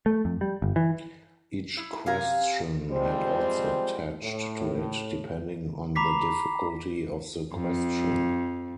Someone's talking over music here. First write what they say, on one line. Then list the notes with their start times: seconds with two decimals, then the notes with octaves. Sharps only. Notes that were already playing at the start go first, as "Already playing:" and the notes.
Each question had odds attached to it depending on the difficulty of the question.
0.06 A3
0.25 F2
0.41 G3
0.62 G1
0.76 E3
1.77 E4
2.06 C3 F5 G#5 A#5
2.92 F3 G3 G#3 C4 C5
4.23 A2
5.95 A#5 B5 D6 B6 C7
7.53 F2